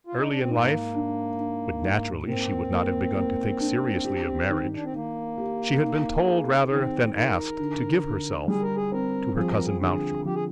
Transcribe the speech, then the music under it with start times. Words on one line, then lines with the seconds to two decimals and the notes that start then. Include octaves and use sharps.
Early in life, when naturally she would not have begun to think seriously of marriage, she had been told rather than asked to give herself to her cousin Mountjoy.
0.07 F4
0.18 D#4
0.28 D4
0.39 C4
0.50 G#2 A#3
0.94 D4
1.39 D4
1.83 G#2
2.27 A#3 C4
2.72 A#3
3.16 A#3
3.60 D4
4.05 G4
4.49 D#3
4.75 D4
4.84 C4
4.93 D#3 A#3
5.38 G4
5.82 D#4
6.26 G#4
6.71 D#3 C4
7.15 D#4 A#4
7.59 D3
8.04 D3
8.48 G3 G#4
8.62 A#4
8.76 G#4
8.92 C4 A#4
9.36 F3 G#4
9.51 A#4
9.64 G#4
9.81 D3 G#4
10.25 F3 G4
10.35 G#4